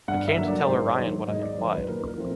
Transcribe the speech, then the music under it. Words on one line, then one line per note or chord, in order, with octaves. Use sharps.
I came to tell Orion what I implied.
G2 F#5
E5
D3 F#3 A#3
D5
G#2 C5
C#5
D#3 F#3
G#2 D#5
D5
D#3 F#3 C5
B4
A#2 A#4
A#4
F3 A3 C4